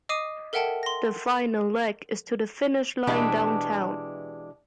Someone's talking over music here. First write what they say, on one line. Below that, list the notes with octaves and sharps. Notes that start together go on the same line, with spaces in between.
The final leg is to the finish line downtown.
D#5 D6 D#6 C7 D#7
A4 A#4 E5 F#5 G5 A5
C6 A#6
B2 E3 G#3 D4 G4